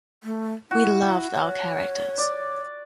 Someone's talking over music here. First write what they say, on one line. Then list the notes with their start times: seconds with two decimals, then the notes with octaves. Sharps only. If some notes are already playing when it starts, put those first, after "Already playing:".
We loved our characters.
0.24 A3
0.71 E4 F#4
1.33 C#5
2.18 D5